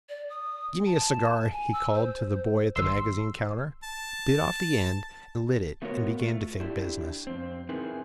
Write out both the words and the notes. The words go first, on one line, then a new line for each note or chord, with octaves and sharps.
'Gimme a cigar,' he called to the boy at the magazine counter; bit off the end, lit it, and began to think business.
D5
D#6
A5
G#5
E6
C5
G#1 C6 E6
A5
A3 B3 F4 F#4 A#4 C#5
A3 F4
D4 E4 G4
F2 C4
C4 D#4 E4 G#4 A#4 B4